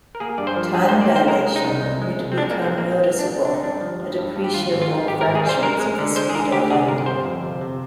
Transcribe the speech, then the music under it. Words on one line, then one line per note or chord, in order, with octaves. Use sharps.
Time dilation would become noticeable at appreciable fractions of the speed of light.
A#4
A#3 G#4
G2 D5
C5
F3
G2 G#4
C5
A#3
D5
A#3 C5
G#3 A#4
G#3
D#4
C2
C2
G#3
C2
C4
G#3 D4
A#3
G#3
C4
A#1 A#3
G#3 C4
G#3
D4
A#1
D3 D4
D#4
G2 D4
F3
G2
G2
G2
G4
G#1 F4
G#1
F4
G#2
G#1 G4
A#4
G#1
G#4
G3
C5
G#3 A#4
G#3
D3
G#3 C5
G#4
D3 A#4
D2 G4
C3 G#4
G1 A#4
G1 C5
F2
C3
C3